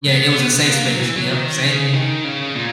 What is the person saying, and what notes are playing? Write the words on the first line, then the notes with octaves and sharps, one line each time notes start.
Yeah, it was a safe space yep, same here.
B3
B3
A#3
F#3
E3
F#3
D#3
C#3
D#3
C#3
A#2